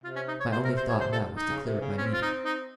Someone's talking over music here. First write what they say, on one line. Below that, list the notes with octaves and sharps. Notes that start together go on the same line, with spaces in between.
My only thought now was to clear up my meaning.
C3 F4
C#4
D#4
C#5
C3 C5
A#4
C5
C#5
C5
A4
D#4
C#3
C3
C#3
C4 C#4
F4
D#4
D#4